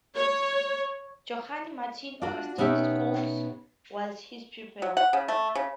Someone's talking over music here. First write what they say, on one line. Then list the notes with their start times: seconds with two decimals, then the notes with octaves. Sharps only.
Johann Martin Augustin Scholz was his pupil.
0.17 C#5
2.22 D4 F4 F#4
2.58 B2 B3 C#4 D#4 G4 E5
4.82 F#3
4.97 F#5
5.13 C#3
5.28 A3
5.55 C#3